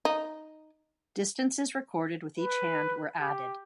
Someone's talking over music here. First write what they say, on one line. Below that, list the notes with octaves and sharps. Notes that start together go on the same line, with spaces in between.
Distances recorded with each hand were added.
D#4
B4
G4